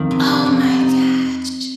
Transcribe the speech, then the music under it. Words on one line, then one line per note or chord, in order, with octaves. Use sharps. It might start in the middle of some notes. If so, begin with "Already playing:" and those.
Oh my gosh.
Already playing: F2 D#3 C4
C3
F2
F2
C3
D#4